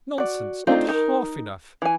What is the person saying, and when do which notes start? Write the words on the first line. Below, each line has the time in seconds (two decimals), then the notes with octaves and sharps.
'Nonsense! not half enough.'
0.18 F#4 D5
0.67 A3 C4 D4 D#4 F4
0.89 D#4 A#4
1.82 E3 G#5